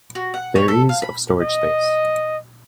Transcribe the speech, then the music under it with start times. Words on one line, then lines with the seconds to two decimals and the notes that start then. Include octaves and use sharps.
There is of storage space.
0.15 F#4
0.34 F#5
0.56 C#5
0.68 A4
0.89 F5
1.02 B5
1.41 D#5